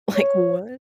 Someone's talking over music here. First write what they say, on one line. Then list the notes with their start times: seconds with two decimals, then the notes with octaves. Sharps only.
Like, what?
0.16 C#5